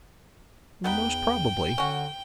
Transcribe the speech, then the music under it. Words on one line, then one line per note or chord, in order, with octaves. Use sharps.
"Most probably."
E2 B3 D#4 B4 G5
D3 C#4 F#4